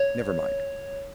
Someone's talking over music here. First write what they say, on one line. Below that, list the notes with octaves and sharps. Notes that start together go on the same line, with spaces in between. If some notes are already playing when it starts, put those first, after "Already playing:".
Never mind.
Already playing: C#5